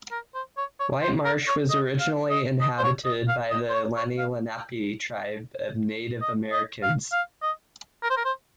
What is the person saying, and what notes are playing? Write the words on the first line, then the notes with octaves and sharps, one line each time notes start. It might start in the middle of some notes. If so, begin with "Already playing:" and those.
Whitemarsh was originally inhabited by the Lenni Lenape tribe of Native Americans.
A#4
C5
C#5
C#5
C5
A#4
C#5
D#5
F5
D#5
D#5
C5
C#5
D#5
F5
D#5
C5
C#5
C#5
F5
D#5
D#5
F5
F5
D#5
A#4
C5
A#4
C5